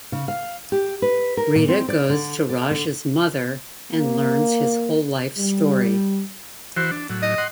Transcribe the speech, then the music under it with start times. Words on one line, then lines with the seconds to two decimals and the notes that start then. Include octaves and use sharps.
Rita goes to Raj's mother and learns his whole life story.
0.12 C#3
0.28 F5
0.72 G4
1.02 B4
1.37 A#4
1.55 A#2
1.68 C4
1.89 D5
2.10 D3
2.49 D5
2.71 D3
3.94 A#3
5.38 G3
6.77 E3 F#4 C5
6.91 D4
7.10 A2 F#3
7.22 D#5
7.38 F#5 C6